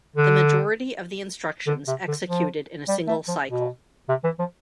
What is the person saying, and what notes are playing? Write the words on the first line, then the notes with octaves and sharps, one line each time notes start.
The majority of the instructions executed in a single cycle.
D3
D3
C3
D3
F3
G3
A3
F3
B2
C3
E3
F3